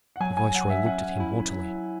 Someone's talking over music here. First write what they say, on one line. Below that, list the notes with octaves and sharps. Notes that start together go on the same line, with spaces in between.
The viceroy looked at him haughtily.
F#5
F#3 G#5
G#5
F#3 F#5
E5
C#4 F#5
E4
F#3